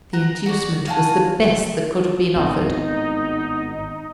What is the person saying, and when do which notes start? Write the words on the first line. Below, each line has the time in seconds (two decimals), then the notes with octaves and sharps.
The inducement was the best that could have been offered.
0.13 F#5 A#5
0.46 F#4 D5
0.87 F4 F#4 G#5 A5
2.35 G#1 A2 B3 C4 D#4